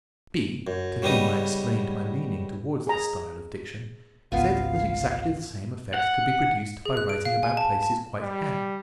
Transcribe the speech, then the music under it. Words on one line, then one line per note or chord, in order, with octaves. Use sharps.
B., to whom I explained my leaning towards this style of diction, said that exactly the same effect could be produced by writing about places quite handy.
F#2
C#3 G3 B3 D#4 D#6
G#4 A#5
G#1 C#2 B3 F4 F5 G#5
F#5
G#4
F#6
D7
F5
G#5
A5
A5
G3